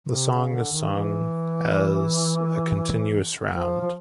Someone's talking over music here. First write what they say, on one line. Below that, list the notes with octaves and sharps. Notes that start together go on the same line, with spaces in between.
The song is sung as a continuous round.
C3
C#3
D3
D#3
E3
F3
F3